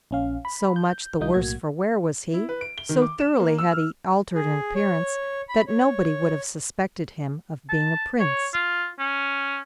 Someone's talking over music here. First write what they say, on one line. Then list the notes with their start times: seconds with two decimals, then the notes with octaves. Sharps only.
So much the worse for wear was he, so thoroughly had he altered in appearance, that nobody would have suspected him of being a Prince.
0.11 A#1 C#4 F5
0.45 B5
0.76 G6
1.20 C2 G3 D#4 F4 D#6 G6
1.34 B1 A2 A#3 F#4 G#6
2.34 E4
2.49 B4
2.61 D7
2.78 G7
2.89 D#3
3.02 D6
3.19 E7
3.40 A#3
3.58 E6
3.72 F6
4.35 G#4
4.75 C#5
5.49 B5
5.68 C#5
7.69 A5
8.20 C#5
8.54 F4
8.99 C#4